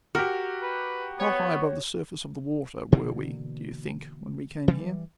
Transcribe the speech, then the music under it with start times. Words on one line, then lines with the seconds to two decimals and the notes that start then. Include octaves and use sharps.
"How high above the surface of the water were we, do you think, when we came here?"
0.15 F#4 G4 A#4
0.62 B4
1.19 B3 C#5
2.92 B2 D3 E3 A#3
4.68 E3 G3